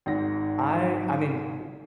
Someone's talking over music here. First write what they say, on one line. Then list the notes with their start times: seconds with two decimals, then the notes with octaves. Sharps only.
I I mean, w
0.06 G#1 G#2 A#6